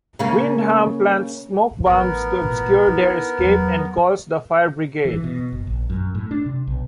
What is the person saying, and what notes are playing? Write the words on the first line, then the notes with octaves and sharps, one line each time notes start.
Windham plants smoke bombs to obscure their escape and calls the fire brigade.
C#3 A#3
A1 F3 B3 A#4
A1 A#2
D#4 E4
E2 F#3
E3
B2
F#1
A#1
F#2
A2
D4
C3
B1